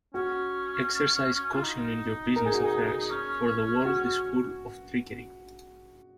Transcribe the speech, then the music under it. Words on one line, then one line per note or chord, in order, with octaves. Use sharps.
Exercise caution in your business affairs, for the world is full of trickery.
C#4 F#4
F4
D#4
A#4
G#4
F#4
G#4
C#4
F#4